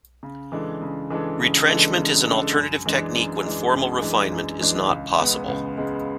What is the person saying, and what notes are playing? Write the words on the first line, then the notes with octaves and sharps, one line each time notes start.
Retrenchment is an alternative technique when formal refinement is not possible.
C#3
E3 G#3 D4 A4
C#3
E3 G#3 D4 A4
C#3
E3 G#3 D4 A4
C#3
E3 G#3 D4 A4
F#2
E3 G#3 D4
F#2
E3 G#3 D4
F#2
E3 G#3 D4
F#2
E3 G#3 D4
C#2
C#3 G#3 B3
C#2
C#3 G#3 B3